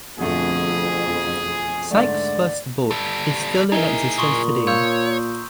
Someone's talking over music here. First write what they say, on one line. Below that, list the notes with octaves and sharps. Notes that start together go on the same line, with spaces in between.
Sykes' first boat is still in existence today.
F2 B2 D3 A3 G#4
G#2 D3 A3 D5
G3 A4
A#3 D#4 E4 G#4 A#4 A#5 G7
A#2 C6 C#6 D#6
C#5 F5 C6 E6 G6